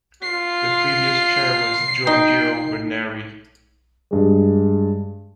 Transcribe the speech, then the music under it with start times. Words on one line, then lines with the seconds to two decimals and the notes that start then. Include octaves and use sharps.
The previous chair was Giorgio Veneri.
0.23 F4 C7
2.07 D#4 G5
4.11 G2 G#3